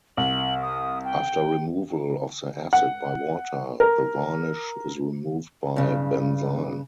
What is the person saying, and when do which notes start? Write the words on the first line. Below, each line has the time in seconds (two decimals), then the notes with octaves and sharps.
After removal of the acid by water the varnish is removed by benzine.
0.17 C2 F#7
0.62 D#6
1.05 G5
2.73 F#5
3.80 A#4
5.76 G2 C#3